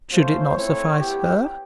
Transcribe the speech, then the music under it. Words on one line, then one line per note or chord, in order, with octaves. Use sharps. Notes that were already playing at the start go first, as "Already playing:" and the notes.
Should it not suffice her?
A3 C#4 F4 C5
A3 C4 E4 C#5
B3 E4 G4